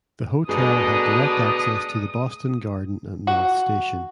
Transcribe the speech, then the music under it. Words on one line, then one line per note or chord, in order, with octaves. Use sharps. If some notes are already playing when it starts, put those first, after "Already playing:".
The hotel had direct access to the Boston Garden and North Station.
B2 A3 D4 D#4 G#4 D#6
F#4